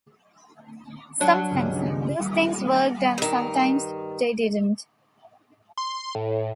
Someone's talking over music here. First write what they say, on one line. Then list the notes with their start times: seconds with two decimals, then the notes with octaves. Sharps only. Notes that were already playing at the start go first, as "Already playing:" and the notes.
Sometimes those things worked and sometimes they didn't.
1.21 F#3 D4
1.50 C#2 G2 C#3
3.18 G2 D#3
5.77 C6
6.15 A2